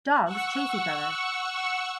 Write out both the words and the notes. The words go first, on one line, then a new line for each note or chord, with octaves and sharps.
Dogs chase each other.
F#5 C#6 E6